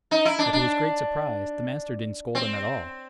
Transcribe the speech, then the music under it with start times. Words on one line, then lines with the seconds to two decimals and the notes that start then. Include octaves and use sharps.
But to his great surprise the master didn't scold at all.
0.11 D#4
0.25 E4
0.39 D4
0.53 D4
2.35 C4